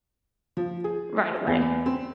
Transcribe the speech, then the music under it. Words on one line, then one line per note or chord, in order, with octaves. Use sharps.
right away.
F3
G#4
E2
C4